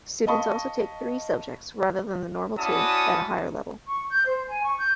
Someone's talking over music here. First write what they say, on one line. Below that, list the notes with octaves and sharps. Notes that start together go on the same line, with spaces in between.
Students also take three subjects, rather than the normal two, at a higher level.
D#5 F5 A5 B5 C#6 D#6
C#4 E4 F#4 D5 A5 D#6
C#6
G6
C5
G#5
C#6
G6